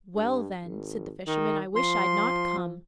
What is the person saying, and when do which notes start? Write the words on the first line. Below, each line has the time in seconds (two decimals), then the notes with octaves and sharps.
"Well, then," said the fisherman, "I wish I'd not come."
0.15 G2
0.64 G#1
1.27 D#3
1.76 F3 C6